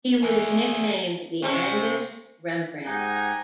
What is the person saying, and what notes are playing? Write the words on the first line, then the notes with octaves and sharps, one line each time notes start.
He was nicknamed "The Angus Rembrandt".
G#4 E5
C3 C4 C#4
G#2 D#4 G4 F#5 G#5 A#5